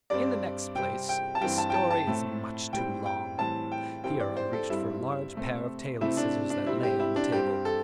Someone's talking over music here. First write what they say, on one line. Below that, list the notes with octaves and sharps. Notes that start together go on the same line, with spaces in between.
"In the next place, the story is much too long." Here I reached for a large pair of tailor's scissors that lay on the table.
G2 G3 C4 D5
C3 G3 C4 G5
G5
A5
G2 E3 C4 G5
A5
G5
A5
A5
A2 A3 C4
A2 G3 C4 G5
G5
A2 E3 G3 C4 A5
G5
G2 E3 G3 C4 G5
D5
C5
A4
G2 G3 C4 E4
C3 A3 C4
C3 A3 C4 E4
D4
D4
C3 G3 C4 E4
G4
E4
D4
G2 G3 C4 G4
A4